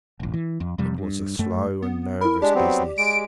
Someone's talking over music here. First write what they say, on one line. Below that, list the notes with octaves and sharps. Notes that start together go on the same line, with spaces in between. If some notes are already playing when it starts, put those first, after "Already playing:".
It was a slow and nervous business.
E1 A1
E3
F2
F2 C3 G3
G2
F#2 A3
B3
E4 A#4 B5
G#3 D4 G4 D5
F#3 B3 C4
G#3 D7